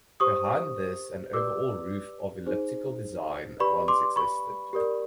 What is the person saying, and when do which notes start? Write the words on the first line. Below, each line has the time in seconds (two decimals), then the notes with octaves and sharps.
Behind this an overall roof of elliptical design once existed.
0.20 G4 C5 C#6 D#6
1.33 G4 B4 D5 D6 E6
2.46 D#4 G#4 C5
3.60 G4 B4 D5 B5 C#6
3.88 C6 D6
4.16 B5 C#6
4.73 G4 A#4 D5